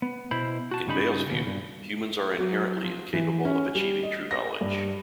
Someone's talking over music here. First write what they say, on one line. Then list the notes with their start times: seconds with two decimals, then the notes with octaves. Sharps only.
In Bayle's view, humans are inherently incapable of achieving true knowledge.
0.02 B3
0.31 B2 E4 C5 B5
0.71 F#4 A5
0.87 G2 C#3 D#4 B5
1.30 D#2 B2
1.46 G2
2.39 F#3
2.83 F3
3.13 E3
3.45 C#4
3.75 G3
4.03 D#5
4.31 A#6
4.61 G2